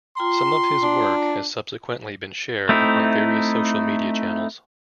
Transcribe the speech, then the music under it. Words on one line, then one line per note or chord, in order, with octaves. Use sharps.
Some of this work has subsequently been shared on various social media channels.
F4 G5 A#5 C6
D4
A3 C4 D#4 E4